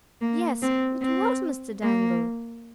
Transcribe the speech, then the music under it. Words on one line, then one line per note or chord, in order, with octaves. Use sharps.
"Yes--it was Mr. Dangle."
A#3
C4
C4
A#3